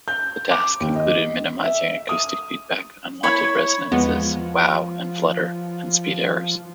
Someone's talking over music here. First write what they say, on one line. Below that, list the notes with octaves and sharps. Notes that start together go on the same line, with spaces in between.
The task included minimizing acoustic feedback, unwanted resonances, wow and flutter and speed errors.
G6
D6
D#2
D#5
E5
D#6
E4 C#5 B5
E2 F3 G#3 B3